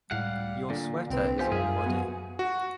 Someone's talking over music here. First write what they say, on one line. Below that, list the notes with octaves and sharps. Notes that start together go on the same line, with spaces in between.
Your sweater is all muddy.
C#2 A2 G3 F5 F#5
A#2 D3
C2 C4 B4
D#2 B3 F4 G4 C5 G#5
F#2 G#4 A#4 E5 F5
F#3 B3 F#4
F#4